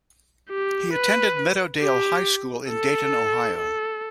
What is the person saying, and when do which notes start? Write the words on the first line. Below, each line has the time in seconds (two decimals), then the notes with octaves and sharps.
He attended Meadowdale High School in Dayton, Ohio.
0.50 G4
0.93 B4
1.81 G4
2.69 A4
3.58 A4